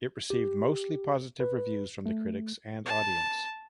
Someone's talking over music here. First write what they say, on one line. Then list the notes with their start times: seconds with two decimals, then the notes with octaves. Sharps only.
It received mostly positive reviews from the critics and audience.
0.30 G4
1.40 B4
2.06 A3
2.86 A5